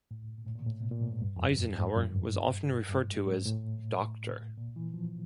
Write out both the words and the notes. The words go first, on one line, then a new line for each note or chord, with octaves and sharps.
Eisenhower was often referred to as Doctor.
A2
A#2
A2
A#2
A2
B2
A#2
A2
G#2
G2
F2
F#2
G#2
F#2
G2
G2
G#2
G#2
A2
A#2
E3
F3